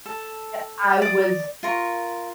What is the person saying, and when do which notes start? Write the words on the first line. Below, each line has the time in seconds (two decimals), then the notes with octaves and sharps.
Yep, I was
0.06 A4
1.02 D5 D#6
1.63 F4 A#4 C#6